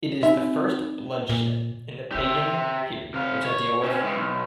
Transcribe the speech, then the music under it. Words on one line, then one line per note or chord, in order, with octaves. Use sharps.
It is the first blood shed in the pagan period which I deal with.
C4 D#4 E5
A#2
G4 E5
C3 F5
C#5
C4 C#4
E3 G#3
B1